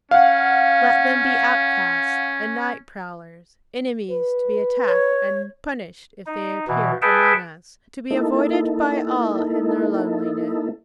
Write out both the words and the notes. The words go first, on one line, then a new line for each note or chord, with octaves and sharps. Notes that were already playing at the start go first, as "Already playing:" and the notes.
Let them be outcasts and night-prowlers, enemies to be attacked and punished if they appear among us, to be avoided by all in their loneliness.
C#4 F5 F#5
B4
C#5
D#4
B2 E3
G#4 B4 E5 F#5 G5 A5
A#3 D#4 E4 A4